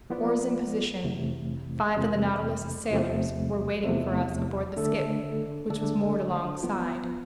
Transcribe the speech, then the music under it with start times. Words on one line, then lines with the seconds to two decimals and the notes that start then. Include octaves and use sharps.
Oars in position, five of the Nautilus's sailors were waiting for us aboard the skiff, which was moored alongside.
0.10 F3 B3 F4 B4 D5
1.03 F2 C3 E3 A3
1.97 F2 C3 E3 A3
2.90 E2 C3 F3 A3
3.84 E2 C3 F3 A3
4.76 D3 A3 D4 A4
5.69 D3 A3 D4 A4
6.63 F3 B3 F4